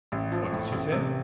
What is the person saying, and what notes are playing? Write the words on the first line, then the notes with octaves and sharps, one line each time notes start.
"What does he say?"
A1
F3
A2
A1
C3